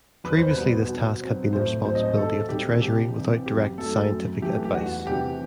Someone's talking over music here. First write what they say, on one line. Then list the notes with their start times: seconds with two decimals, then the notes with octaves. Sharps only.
Previously this task had been the responsibility of the Treasury without direct scientific advice.
0.24 E2 B4
0.38 C5
0.51 B4
0.56 B2 G3 B3
0.89 B2
1.21 F#3 C4
1.53 A2 C5
1.84 F#3 C4 C5
1.95 D#5
2.06 C5
2.17 D#2 A4
2.49 D#3 G3 C4 G4
2.82 C2 G4
3.13 C3 E3
3.46 F#2 G4
3.78 F#3 A3 A4
4.10 F#2
4.42 E3 A3 G4
4.65 G4
4.74 E2 F#4
5.06 C3 E3 G4